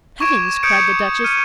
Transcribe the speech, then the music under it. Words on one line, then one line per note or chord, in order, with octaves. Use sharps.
"Heavens!" cried the Duchess.
C#6 D6 G#6 D7 E7
D#6 G6 G#6 C#7 D7
F6 D#7